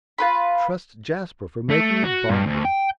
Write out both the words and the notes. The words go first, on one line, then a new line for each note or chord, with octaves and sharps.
Trust Jasper for making a bargain!
F4 B4 B5
A3
F#4
G2
D2
G5